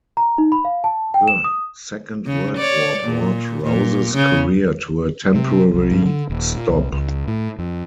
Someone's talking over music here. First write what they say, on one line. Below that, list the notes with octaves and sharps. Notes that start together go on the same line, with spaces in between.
The Second World War brought Rowse's career to a temporary stop.
A#5
D#4
B5
F5
A5
G5
E7
D#6
C#3
C#5 D5
A#2
A#2
C#3
C3
C2
G2
D3
D#1
A#2
C2
C#2
A2
F2